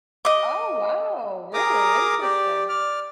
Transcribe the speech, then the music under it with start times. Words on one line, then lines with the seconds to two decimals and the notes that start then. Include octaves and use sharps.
Oh, wow, really? Interesting.
0.25 D#5 D6
1.54 G#4 A#4 A#5 D6 D#6
2.21 G4 D5
2.69 D5 F6